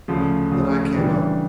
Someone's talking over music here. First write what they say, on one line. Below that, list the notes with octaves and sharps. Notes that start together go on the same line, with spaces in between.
Then I came up.
D2 C#3 F3
D2 C#3 F3
C#3 E3 G3 D4